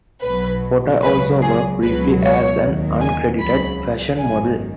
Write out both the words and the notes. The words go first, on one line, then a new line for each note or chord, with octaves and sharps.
Potter also worked briefly as an uncredited fashion model.
B1 B2 F#3 B4
C#2 C#3 F#3 B4
G#4
C#2 B2 F#3 B4
C#5
D#2 D#3 F#3
G#5
C#2 C#3 F#3 B5
G#1 F#2 D#3 G#5